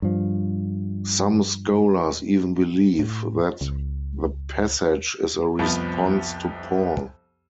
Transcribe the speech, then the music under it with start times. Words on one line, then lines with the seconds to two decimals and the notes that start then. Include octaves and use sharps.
Some scholars even believe that the passage is a response to Paul.
0.02 G2 F3
2.99 A2
3.61 C#2
5.59 C2 F2 F3 B3